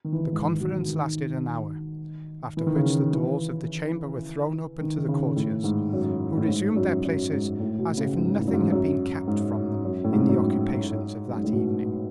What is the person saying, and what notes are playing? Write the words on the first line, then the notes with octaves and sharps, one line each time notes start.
The conference lasted an hour; after which the doors of the chamber were thrown open to the courtiers, who resumed their places as if nothing had been kept from them in the occupations of that evening.
D#3
E3
D#3
G#2
B2
D#3
E3
D#3
C#3
D#3
E3
D#3
D#3
C#3
A2
G#2
F#2
A2
G#2
F#2
F#2
G#2
A2
B2
B2
C#3
G#2
A2
F#2
G#2
F#2
G#2
F#2
A2
G#2
F#2
G#2
F#2
G#2
A2
B2